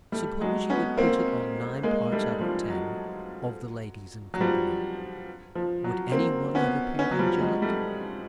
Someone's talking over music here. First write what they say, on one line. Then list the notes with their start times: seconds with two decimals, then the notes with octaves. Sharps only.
Suppose you had put it on nine parts out of ten of the ladies in company, would any one have appeared angelic?
0.12 G3 A3
0.41 F#3 G#3
0.70 B3 C#4
0.98 A#3 C4
1.83 G#3 A#3
2.12 G3 A3
2.41 F3 G3
2.70 F#3
4.34 F#3
4.41 F3 G3
5.55 F3
5.84 F#3
6.12 A#3 C4
6.55 B3 C#4
6.99 B3 C#4
7.11 F#3
7.19 F3 G3
7.41 F#3 G#3
7.62 G3 A3